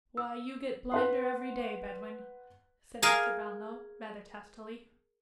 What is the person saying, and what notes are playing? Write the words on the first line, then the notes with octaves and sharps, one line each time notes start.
'Why, you get blinder every day, Bedwin,' said Mr. Brownlow, rather testily.
E6
B4 F#5 C6
G#4 A#4 F5 G#5